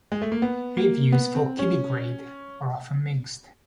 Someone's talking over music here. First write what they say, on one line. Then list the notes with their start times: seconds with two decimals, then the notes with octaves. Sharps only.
Reviews for "Kiddy Grade" are often mixed.
0.12 G#3
0.22 A3
0.32 A#3
0.42 B3
0.77 A#3
1.12 B3
1.35 C4
1.59 C#4